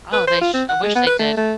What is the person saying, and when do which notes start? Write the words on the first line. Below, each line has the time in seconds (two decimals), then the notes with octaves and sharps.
Oh, they sh I wish they did.
0.13 B4
0.28 C5
0.41 F4
0.54 C4
0.69 F#5
0.83 G#3
0.95 B3
1.07 B4
1.19 A3
1.37 A3